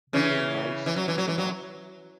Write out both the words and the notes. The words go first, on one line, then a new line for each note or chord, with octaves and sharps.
being nice is enough?
C#3 E3
E3
F#3
E3
F#3
E3
F#3